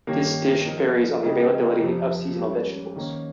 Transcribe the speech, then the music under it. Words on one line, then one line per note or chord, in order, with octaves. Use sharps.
This dish varies on the availability of seasonal vegetables.
G2 D#3 A#3 C#4 G4
F3 C4 D#4 A#4
C#3 G#3 C4 D#4 G4
F2 C3 F3
G#2 G3 C#4
D#3 A#3 C#4